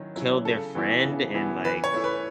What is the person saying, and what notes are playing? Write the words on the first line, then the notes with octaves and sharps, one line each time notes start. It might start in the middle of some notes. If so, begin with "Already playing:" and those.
killed their friend and, like,
Already playing: D#3 F#3 C#4 E4
F#3 C#4 E4
C#3 A4
E3 B3 E4
C#3
E3 B3 E4
E3 B4
C#5
A3 C#4 E4
B4